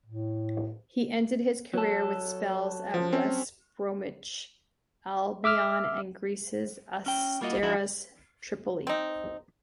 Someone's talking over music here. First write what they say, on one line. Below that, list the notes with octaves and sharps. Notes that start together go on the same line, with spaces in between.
He ended his career with spells at West Bromwich Albion and Greece's Asteras Tripoli.
A2
F#3 A4
F3
C4 C#4
E5 D6 E6 F6
C#4 G5
G3 A#3 F4 F#4 D#5
G#2 F3 G#3 D4 E4 F#4
C4 D#4